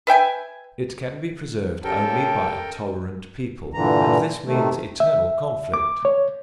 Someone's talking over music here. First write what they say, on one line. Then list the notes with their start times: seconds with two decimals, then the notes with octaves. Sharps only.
It can be preserved only by a tolerant people, and this means eternal conflict.
0.07 B4 E5 G5 G#5
1.84 C#3 G4 A4 A#4 G5 A5
3.74 G2 A#2 D3 E3 A#5
4.46 C3 D#3 A3
5.00 E5
5.74 D6
6.05 C#5